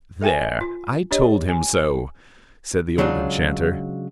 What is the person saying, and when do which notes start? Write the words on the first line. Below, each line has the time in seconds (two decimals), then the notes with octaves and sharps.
"There, I told him so!" said the old enchanter.
0.21 A4 E5 G5 G#5
0.61 F4
1.11 D4 G4 C#5 D#5
1.49 G#5
2.98 C#3 F#3 G#3 D4 F4